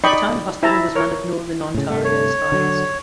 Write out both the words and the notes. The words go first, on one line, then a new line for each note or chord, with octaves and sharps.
At the time the hospital was one of northern Ontario's finest.
D#4 D5 D#5 G5 B5 C#6
E4 C5 E5 A5 A#5
A#4 C#5
A2 C#3
G2 C3 A3
C#5
D3 F#3